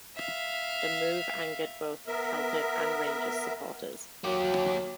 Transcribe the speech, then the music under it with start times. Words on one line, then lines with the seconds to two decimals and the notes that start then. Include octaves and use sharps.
The move angered both Celtic and Rangers supporters.
0.16 E5 F5
2.07 B3 A#4 E5
4.24 F#3 A#3 G4